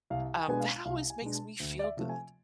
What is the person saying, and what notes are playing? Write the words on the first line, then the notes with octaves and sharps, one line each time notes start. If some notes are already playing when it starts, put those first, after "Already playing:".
Um, that always makes me feel good.
C2 F5
G#5
B2 G#3 B3 D4 G#5
F5
C2 F5
G#5
B2 G#3 B3 D4
A5
D2
D5
E5
C3 F3 A3
G#5